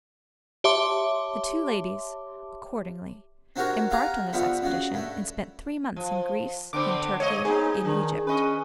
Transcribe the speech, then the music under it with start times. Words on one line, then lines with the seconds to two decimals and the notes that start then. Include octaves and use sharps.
The two ladies accordingly embarked on this expedition, and spent three months in Greece, in Turkey, in Egypt.
0.64 G4 C#5 E5 A5 C6 D6
3.56 C4 D4 F#4 G4 A#4 C#5
3.90 G4 F5 F#5 G#5 A#5
4.33 D3 F3 G3 A3 B3
4.62 C#3 F#4
4.94 G2 A3
5.96 F3
6.73 D3 B3 C4 D6
7.20 G#3 C#5 D#5
7.45 A#3 B3 D#4 G#4
7.85 D#3 D4
8.27 C#4 B4 D#5